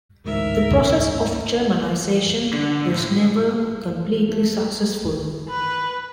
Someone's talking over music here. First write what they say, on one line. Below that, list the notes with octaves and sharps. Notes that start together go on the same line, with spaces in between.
The process of Germanisation was never completely successful.
A1 D2 G#2 A#4 E5
D3
A2
A3
B4